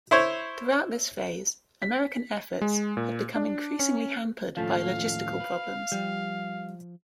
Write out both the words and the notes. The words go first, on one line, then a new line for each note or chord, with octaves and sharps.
Throughout this phase, American efforts had become increasingly hampered by logistical problems.
E4 C5 C#5
B6
G#3
A#2
D4
C#4
D#2 A2 F3 A3 C#4 F5
B4
F3 G3